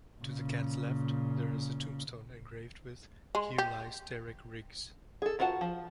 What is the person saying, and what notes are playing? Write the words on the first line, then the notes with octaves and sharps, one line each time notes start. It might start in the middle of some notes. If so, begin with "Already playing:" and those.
To the cat's left, there is a tombstone engraved with "Here lies Derek Riggs".
A#2 C#3
G#3
G4
G#4 A4
D#3 F4 F#4 F#5 A5
F3